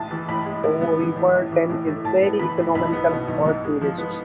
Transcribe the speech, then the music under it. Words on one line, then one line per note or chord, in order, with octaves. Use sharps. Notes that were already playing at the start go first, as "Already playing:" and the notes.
Corriverton is very economical for tourists.
Already playing: A1 G#3 A5
E3
A2 B5
G#3
A2
B3
E3
A2
A1
E3
A2
A3
A2 A5
B3
E3 B5
A2
B1 B5
B3
B2
B1
G#2
G#3
F3
B3